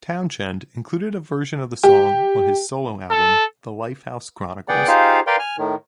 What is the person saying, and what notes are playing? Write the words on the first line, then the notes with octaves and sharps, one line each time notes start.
Townshend included a version of the song on his solo album "The Lifehouse Chronicles".
G4
A4
B3 G#4 D5 F#5 G5
D#4 F4 G4 G#4 C5 F5
A#4 B4 D5 F5 G5 C6
G#5 F6
A2 D#3